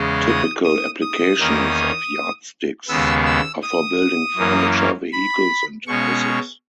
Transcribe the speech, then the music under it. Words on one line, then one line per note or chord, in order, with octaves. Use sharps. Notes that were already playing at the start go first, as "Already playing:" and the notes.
Typical applications of yardsticks are for building furniture, vehicles and houses.
Already playing: E2 C#3 G#3 C#4
D#6
D#6
D#6
E2 D#3 A#3 C#4
D#2 C#3 G#3 B3 E6
E6
D#6
F#2 E3 A#3 C#4
B5
B2 G#3 C#4 C#6